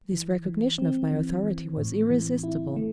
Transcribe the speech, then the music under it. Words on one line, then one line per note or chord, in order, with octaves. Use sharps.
This recognition of my authority was irresistible.
E3
E3
C4
E3
E3
A2
E3
E4
A3